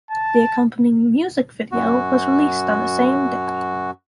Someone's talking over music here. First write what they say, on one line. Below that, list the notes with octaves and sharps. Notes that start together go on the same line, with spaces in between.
The accompanying music video was released on the same day.
A5
F#2 F#4